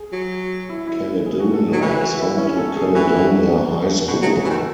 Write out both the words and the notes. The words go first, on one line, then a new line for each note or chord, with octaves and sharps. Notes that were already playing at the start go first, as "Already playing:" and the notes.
Caledonia is home to Caledonia High School.
Already playing: G#4
F#3
E4
E4
G#4
F#4
A4
F#3 G#4
E3 F#4
F#4
E4
C#4
A4
G#4
E3 F#4
G#4
F#4
B2 F#4
F#3
G#4
E3 F#4
D#3
A4